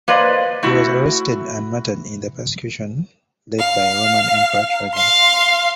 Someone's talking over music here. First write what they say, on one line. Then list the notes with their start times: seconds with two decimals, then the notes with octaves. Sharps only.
He was arrested and martyred in the persecution led by the Roman Emperor Trajan.
0.08 A#3 B4 C5 D5 D#5
0.63 A3 E4 F#4
3.57 F5
4.94 F5 C6